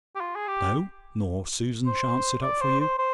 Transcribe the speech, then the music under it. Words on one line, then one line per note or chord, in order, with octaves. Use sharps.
No: nor Susan shan't sit up for you.
G4
F4
G#4
G4
C5
D5
C5
C5
C5